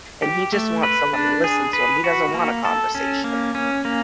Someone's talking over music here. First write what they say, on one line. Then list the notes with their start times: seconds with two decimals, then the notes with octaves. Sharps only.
and he just wants someone to listen to him, he doesn't want a conversation.
0.22 G4
0.52 A3
0.83 B4
1.14 D4
1.44 G#4
1.73 B4
2.04 F#4
2.34 A#3
2.65 A4
2.95 C#4
3.24 A#3
3.55 C#4
3.85 A#3